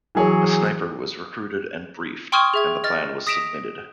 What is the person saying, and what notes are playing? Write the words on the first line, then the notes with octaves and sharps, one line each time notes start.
A sniper was recruited and briefed, and the plan was submitted.
E3 F#3 G#4 C#5
G5 C6 C#6 D#6 F6 G#6
G#4 E5 G#6
D#5 F6 A6
D#6 A#6 B6 D7 E7 F7